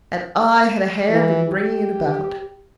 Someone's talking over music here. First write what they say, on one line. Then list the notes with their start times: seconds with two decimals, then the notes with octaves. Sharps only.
And I had a hand in bringing it about.
1.10 E3
1.48 G4